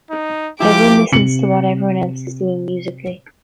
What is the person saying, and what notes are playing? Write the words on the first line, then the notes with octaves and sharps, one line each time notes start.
Everyone listens to what everyone else is doing musically.
D#4
F3 E4 G4 D6
C3 C#7 F#7